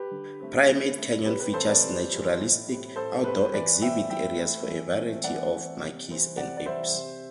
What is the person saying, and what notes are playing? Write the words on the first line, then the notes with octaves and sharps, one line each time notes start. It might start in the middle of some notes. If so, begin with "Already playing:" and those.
'Primate Canyon features naturalistic, outdoor exhibit areas for a variety of monkeys and apes.
Already playing: G4 B4
D3
A3 C4
D3
A3 C4
C3 G4 B4
G4 B4
E3 G3 C4 A4 C5
B4 D5
C3
E3 G3 C4
A2
G3 C4
A2 A4 C5
G3 C4 G4 B4
E3 B4 D5
A3 C4 E5 G5
E3 E5 G5
A3 C4
E3
A3 C4
E3 D5 F#5
A3 C4
C3
E3 G3 C4
C3 D5 F#5
D5
E3 G3 C4 C5 E5
C3